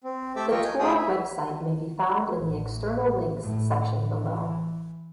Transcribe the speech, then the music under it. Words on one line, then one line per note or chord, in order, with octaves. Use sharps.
The tour website may be found in the external links section below.
C4
A3 G4 A4 E5 D6 E6
F4 A#4 D#5 G5 C#6
G#5 G6
A3 F4 G#4 C5 G5 D#6
E5
A1
A2
E3